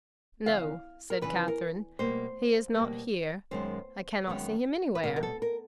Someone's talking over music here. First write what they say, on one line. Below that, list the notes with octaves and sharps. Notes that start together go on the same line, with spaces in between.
"No," said Catherine, "he is not here; I cannot see him anywhere."
E2 C#3 E3 F5
A#4
E2 C#3 E3 B4
A#4
B2 G3 A#3 C5
B2 G3 A#3
F#2 D#3 G#3 B3 C5
F#2 D#3 G#3 B3
B4
B2 G3 B3 A#4
A#4
A4
A#4